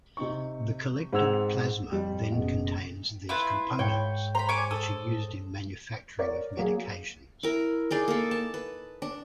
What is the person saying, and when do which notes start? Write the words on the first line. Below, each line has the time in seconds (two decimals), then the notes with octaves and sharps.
The collected plasma then contains these components, which are used in manufacturing of medications.
0.17 C3 D#4 C#6
1.13 G#2 C4 F#5 E6 G#6 F7
1.92 F2 G3
2.32 F#1 B2
3.29 E4 F4 B4
3.79 G#2 C#5 G5
4.35 C5 A#5 B5
4.49 C#5 G#5 D6
4.71 A4 D#6
6.19 A#4 C#5 D5
6.57 F#3 A#3 G#4
7.43 E4 A#4
7.91 D#4 G#4 D5
8.08 A#3 A4
8.31 A5
8.54 B4
9.02 D4